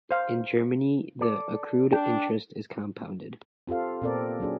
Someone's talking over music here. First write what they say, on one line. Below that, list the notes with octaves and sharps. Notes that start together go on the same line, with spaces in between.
In Germany, the accrued interest is compounded.
C5 F5
A4 D5
D4 G5
C4 F4 G4 A4 F5
A#2 B3 C4 A4 A#4 D5
F#3 C#4 D4 G#4